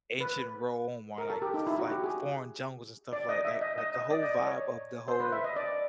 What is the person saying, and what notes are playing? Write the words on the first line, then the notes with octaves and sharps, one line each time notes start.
ancient Rome or, like, f like, foreign jungles and stuff like that, like the whole vibe of the whole
B4
A#4
A4
G4
D#4
E4
F#4
G4
G#4
D5
D#5
E5
D#5
D#5
D#5
D5
D#5
C#5
C5
B4
E5
D#5
D5